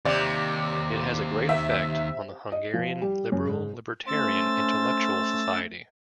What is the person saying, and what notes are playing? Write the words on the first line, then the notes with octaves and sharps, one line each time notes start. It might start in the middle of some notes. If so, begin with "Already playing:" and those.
It has a great effect on the Hungarian liberal-libertarian intellectual society.
D#2 C3 D5
E5
D#5
F3
G3
F#2
G#2
A3 C#4 C5 E6 A6